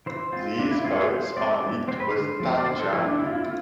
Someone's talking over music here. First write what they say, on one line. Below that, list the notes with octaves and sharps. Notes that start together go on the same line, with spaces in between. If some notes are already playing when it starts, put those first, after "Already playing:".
These boats are rigged with tanja rig.
E3 C5
G#3 C4 F4
E3 D4
E4
G#3 C4 F4
G#4
E3 C5
G#3 C4 D5
E3
G#3 C4 C5
B4
D3 C5
F3 A3 C4
D5
D3 C5
A4
F3 A3 C4 E4
D4
D3 E4
F4
E4
A3 C4 F4